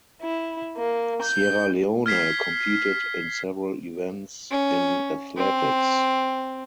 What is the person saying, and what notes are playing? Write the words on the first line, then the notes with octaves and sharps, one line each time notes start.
Sierra Leone competed in several events in athletics.
E4
A#3
G6
F6 G#6 B6 C7
C#4
C4